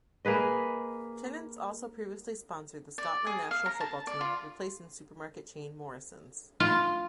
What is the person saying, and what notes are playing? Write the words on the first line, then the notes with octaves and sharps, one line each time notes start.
Tennent's also previously sponsored the Scotland national football team, replacing supermarket chain Morrisons.
A#3 G#4 B4 D#5
D5
G#4
F5
A#5
A5
D5
F4
F4